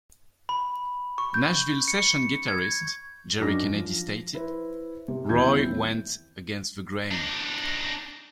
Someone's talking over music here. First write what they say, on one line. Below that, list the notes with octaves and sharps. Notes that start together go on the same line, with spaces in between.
Nashville session guitarist Jerry Kennedy stated, Roy went against the grain.
B5
C#6
G6
C#7
G#6
F#2 D4 D#4 D6 F6 A#6
F3
E4 B4 C5
C3
D#1 E2 C4 E4 G6 G#6
D4 D#4